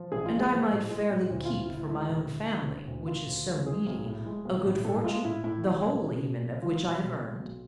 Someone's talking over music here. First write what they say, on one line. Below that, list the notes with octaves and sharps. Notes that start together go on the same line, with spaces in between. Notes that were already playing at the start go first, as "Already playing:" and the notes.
"And I might fairly keep for my own family, which is so needy, a good fortune,--the whole, even, of which I have earned?"
Already playing: F3
A1 G#4
F4
G#3
G#4
F3
A2
G#3
A2
D2 E4
D2 F4
E4
D2 E4
G#3 E4
D2
D2
D3
D3
D2
D2 F4
D2
G#3
G#3 G#4
B1
A2
G#3
B1
A2
A2 A4
G#3 F4
A2 E4
A2 E4
B1
B1
B2
B2
B1
G#3 F4
B1
B2
G#3
B1